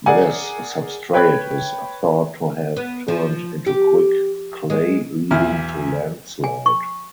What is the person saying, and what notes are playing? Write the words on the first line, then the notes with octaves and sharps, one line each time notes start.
This substrate is thought to have turned into quick clay leading to landslide.
G#4 A#4 D5 F#5 G#5
B4 C#5 G5 B5 F#6 G#6
B3
F3
G4
G#3
B1 E2 E4 F6
G#5
C#6